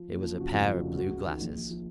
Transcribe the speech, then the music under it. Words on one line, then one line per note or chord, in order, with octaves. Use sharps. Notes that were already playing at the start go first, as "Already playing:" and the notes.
It was a pair of blue glasses!
Already playing: F3
F#1
F3
C#3 F#4
F1 F4
F3
F#4
C#3
C#2 F#4
C#2
D#3
A#1
A#1
F3